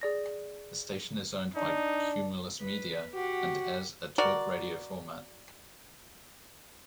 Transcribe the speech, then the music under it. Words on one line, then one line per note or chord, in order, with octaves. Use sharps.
The station is owned by Cumulus Media, and airs a Talk radio format.
G#4 D5 A#6
D4 D#4
B4
F#4 G4 F#5
F#4 A#4 D5